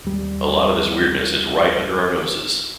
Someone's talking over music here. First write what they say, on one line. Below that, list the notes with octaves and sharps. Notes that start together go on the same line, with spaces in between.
A lot of this weirdness is right under our noses.
D#2 G3